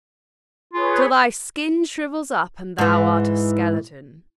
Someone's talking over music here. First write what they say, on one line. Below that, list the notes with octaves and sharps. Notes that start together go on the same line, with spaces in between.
Till thy skin shrivels up and thou art a skeleton!
F4 G#4 B4 C#5
G#2 E3